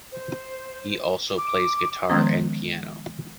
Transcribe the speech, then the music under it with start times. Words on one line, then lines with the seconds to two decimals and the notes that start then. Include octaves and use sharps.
He also plays guitar and piano.
0.12 C5
1.38 D6
2.09 D#3 F3 G#3 B3 C#4